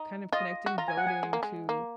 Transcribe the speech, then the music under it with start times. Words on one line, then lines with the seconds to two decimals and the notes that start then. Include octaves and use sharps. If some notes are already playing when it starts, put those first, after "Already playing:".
kind of connecting voting to
Already playing: D#4
0.33 F4 D#5
0.66 F#4
0.78 F4 A#5
0.88 G#5
0.97 F#5
1.07 G#5
1.23 G#3
1.33 A#3
1.43 G#3
1.69 A#3